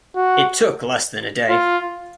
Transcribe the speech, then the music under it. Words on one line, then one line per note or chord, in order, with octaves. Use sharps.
It took less than a day.
F#4
F4